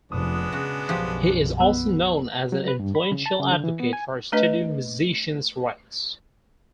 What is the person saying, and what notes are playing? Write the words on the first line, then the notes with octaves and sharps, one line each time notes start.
He is also known as an influential advocate for studio musician's rights.
F1 G#3 B3 D4 D#6
C#3 F#4
B1 F#2 F3 G4
B3 E6
F#3
B4
G2
B5
C#3
A5
C#3
D3
E3
B3
G#5
A3 D4 B4 D#5